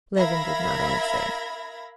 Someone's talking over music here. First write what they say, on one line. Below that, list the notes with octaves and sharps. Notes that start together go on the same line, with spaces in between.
Levin did not answer.
A#4 E5 F5 B5 G#6 A#6